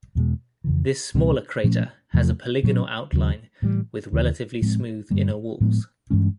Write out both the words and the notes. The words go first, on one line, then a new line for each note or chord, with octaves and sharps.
This smaller crater has a polygonal outline with relatively smooth inner walls.
E2 B2 G#3
F2 C#3 E3
C#2 B2 G3 C4
A#2 F3 A3 C#4
E2 C3 F3 A3
A#2 F#3 A#3 C#4
D#2 C#3 F#3
A2 E3 G3
D#2 C#3 E3
A2 F3 G#3 C4
G2 D3 G3 A#3
A2 F3 G#3 B3
G2 E3 G#3 C#4